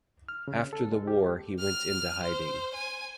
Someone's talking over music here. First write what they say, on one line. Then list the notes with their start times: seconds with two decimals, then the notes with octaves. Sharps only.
After the war he went into hiding.
0.29 F6
0.48 C#3
0.73 A4
0.92 G#3
1.07 G4
1.60 F6
2.23 C5
2.75 G#5